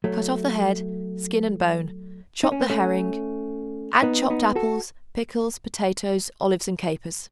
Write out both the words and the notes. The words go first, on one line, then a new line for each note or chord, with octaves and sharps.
Cut off the head, skin and bone; chop the herring; add chopped apples, pickles, potatoes, olives and capers.
F#3 A3
D#4
C#4
B3
A3 C#4
B3 D#4
B3 D#4
F#4 A4